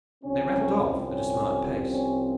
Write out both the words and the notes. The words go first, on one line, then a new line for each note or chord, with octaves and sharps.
They rattled off at a smart pace.
C2 C3 F3 C4 C#4
C#4
C#4